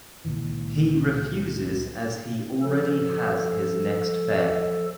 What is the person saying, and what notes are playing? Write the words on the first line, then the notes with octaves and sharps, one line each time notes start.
He refuses as he already has his next fare.
C#2 A#2 D#3 E3
F3 A4